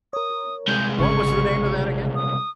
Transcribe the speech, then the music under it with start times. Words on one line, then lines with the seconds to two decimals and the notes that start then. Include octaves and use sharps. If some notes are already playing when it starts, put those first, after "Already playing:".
W w what was the name of that again?
0.13 A#4 C#5 D#6
0.68 C2 G#3 G6
0.99 G#1 C#3 C#6 G#6
2.15 D#6